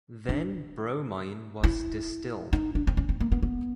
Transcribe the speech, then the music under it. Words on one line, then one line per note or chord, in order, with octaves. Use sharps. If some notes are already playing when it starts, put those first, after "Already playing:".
Then bromine was distilled.
D4
E4
D#4
D4
C4
C#4
C4
A#3
B3
B3